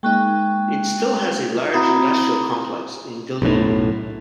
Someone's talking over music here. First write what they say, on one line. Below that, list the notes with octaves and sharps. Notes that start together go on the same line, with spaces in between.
It still has a large industrial complex in Geleen.
G#3 A#3 D#4 G5 C#6 F#6
C4 E4 F#4 A#5 B5 D#6
B1 F#2 A2